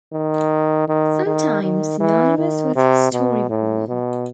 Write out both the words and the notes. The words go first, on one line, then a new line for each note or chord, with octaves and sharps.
Sometimes synonymous with story pole.
D#3
D#3
D#3
D#3
E3
D#3
C3
B2
A2
B2